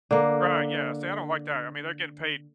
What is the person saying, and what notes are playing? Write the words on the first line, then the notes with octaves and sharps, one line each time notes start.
Right, yeah. See, I don't like that. I mean, they're getting paid,
D3 A#3